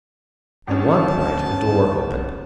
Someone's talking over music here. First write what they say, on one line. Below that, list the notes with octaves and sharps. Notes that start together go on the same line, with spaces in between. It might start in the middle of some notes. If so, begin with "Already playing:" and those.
At one point a door opened.
G#1 B3 C#4 A5